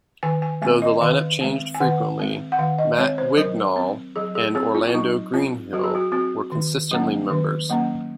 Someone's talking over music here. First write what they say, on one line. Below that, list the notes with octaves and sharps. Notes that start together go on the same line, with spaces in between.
Though the lineup changed frequently, Matt Wignall and Orlando Greenhill were consistently members.
D#3 G#5
G#5
G#3 C4 G#5
D#5
D#3 F5
G#3 C4
G#5
D#3 F#5
G#3 C4
F#5
D#3 F5
D#5
G#3 C4 C#5
C5
F#3 A#4
C4
F#3 G#4
G#4
C4 G#4
F4
F4
F#3 D#4
C4 F4
F#3 F#4
G#4
F#4
C4 F#4
D#3
F#3 A#3 C#4
D#3
F#3 A#3 C#4